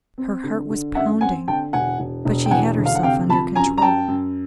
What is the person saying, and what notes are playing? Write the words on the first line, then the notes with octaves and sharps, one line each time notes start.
Her heart was pounding, but she had herself under control.
C4
D3
D3
F#2 E5 F#5
C4 F#5 G#5
D3 G5 A5
E1 F#5 G#5
E1
E1
G5
E3 F#5 G#5
D2
F5
F#5
C3 F5 G5
F3 A5 B5
F#2 G#5 A#5
A#5
F#2 G5 A5
F#2